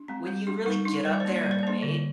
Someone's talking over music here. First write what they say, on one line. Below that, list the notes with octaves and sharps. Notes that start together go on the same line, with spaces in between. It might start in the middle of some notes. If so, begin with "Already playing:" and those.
when you really get up there in weight,
Already playing: D4
G#3 C4
G3
D4
G3 D#4
D4 D#4
G3 C5
D5
C5
A#3 D4 D5
C5
G3 D5
C5
D5
A#3 D4 C5
D3